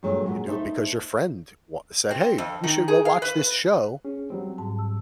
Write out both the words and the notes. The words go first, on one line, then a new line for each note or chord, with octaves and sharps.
you do it because your friend wa said, "Hey, you should go watch this show."
G2 A#2 F#3 G#3 A3
A#2 G#3 F#4
A3 D#4 C5 E5
C4
F2
D#3
G#4
F5
B4
C#4 G#4
F#3 G3 C4
G#2 A5
E6